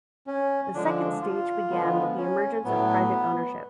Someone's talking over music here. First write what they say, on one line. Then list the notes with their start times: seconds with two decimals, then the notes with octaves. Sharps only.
The second stage began with the emergence of private ownership.
0.27 C#4
0.74 D3 F3 G#3 D4
1.22 F4
1.70 D3 F3 G#3 B3
2.17 C#4
2.65 A2 F#3 B3